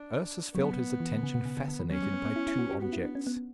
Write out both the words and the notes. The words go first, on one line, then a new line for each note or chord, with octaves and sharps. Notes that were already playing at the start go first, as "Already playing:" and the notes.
Ursus felt his attention fascinated by two objects.
Already playing: D4
F#3 B3
E3
D3
C#3
B2
C#3
D3
D3
E3
F#3 C#4
G3
B3
B3
E4
E4
F#4
G4
B3 F#4
E4
D4
C#4
B3